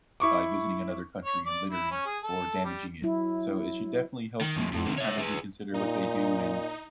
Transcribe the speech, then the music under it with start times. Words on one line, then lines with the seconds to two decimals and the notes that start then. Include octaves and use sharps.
by visiting another country and littering or damaging it. So it should definitely help people kind of reconsider what they do and,
0.20 E4 C#6 D6
1.24 C#5
1.46 D5
1.70 E4
1.91 C#4
2.06 G#4
2.24 A4
2.64 G3
3.02 F#3 E4
4.41 D#3
4.56 F2 A2
4.73 F2
4.85 C3 D#3
4.98 C#5 E5
5.18 G#4 B4
5.74 A#2 D#4